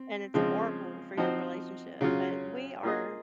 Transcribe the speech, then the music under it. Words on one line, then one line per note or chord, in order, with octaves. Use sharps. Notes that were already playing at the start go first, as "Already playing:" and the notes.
And it's horrible for your relationship, but we are
Already playing: C4
C#3 F3 G#3 C4
F3 C4 D#4 F#4 C5
C#3 F#3 C#4 F4
A#3 F4 G#4 D#5